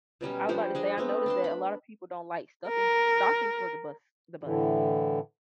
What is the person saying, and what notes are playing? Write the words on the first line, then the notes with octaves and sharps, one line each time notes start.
I was about to say I noticed that a lot of people don't, like, stuffing stopping for the bus the bus.
B2 F#3 G3 C#4
F3 G3 D4 C5
D4 G#4 D#5
A3 B3 C4
D4 A5 C6
B5
A#4
A2 D3 E3